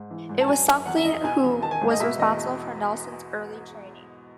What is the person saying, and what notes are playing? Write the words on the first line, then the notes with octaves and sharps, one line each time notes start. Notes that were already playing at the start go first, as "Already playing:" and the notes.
It was Suckling who was responsible for Nelson's early training.
Already playing: G#2
E3
G#2
A5
F#2 G#5
F#2
E2 F#5
E5
E2 D#5
B2 G#5
E2
D#3 A5
G#5
G#2
D#5
B2 E5
E2 D#5